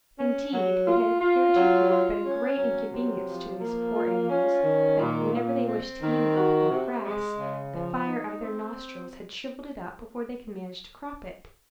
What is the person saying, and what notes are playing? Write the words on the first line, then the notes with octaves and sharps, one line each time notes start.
Indeed, it had heretofore been a great inconvenience to these poor animals, that, whenever they wished to eat a mouthful of grass, the fire out of their nostrils had shriveled it up, before they could manage to crop it.
C#4
F#3
F4
F4
F#3
F4
C#4
F#3
C3
F3
A#3
F4
C#4
D#3
A#2
A#2
C4
D#3
F#4
C3
G#3
C#3
F3
D#4
C4